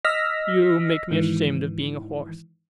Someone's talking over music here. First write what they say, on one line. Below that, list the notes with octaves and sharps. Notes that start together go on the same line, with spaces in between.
You make me ashamed of being a horse.
D#5 E6 F6 A#6 B6
G#2 D#3 E3